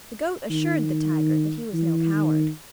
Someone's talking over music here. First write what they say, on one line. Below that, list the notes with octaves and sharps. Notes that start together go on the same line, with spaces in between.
The goat assured the tiger that he was no coward.
D#3
E3
D#3